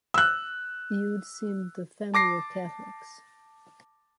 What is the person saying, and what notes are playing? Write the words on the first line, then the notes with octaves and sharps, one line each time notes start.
It would seem the family were Catholics.
E6 F#6
A5 D6 A#6 C7